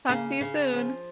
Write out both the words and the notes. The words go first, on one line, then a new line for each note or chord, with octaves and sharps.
Talk to you soon.
C#3 A#3
C#3
F3 B3
C#4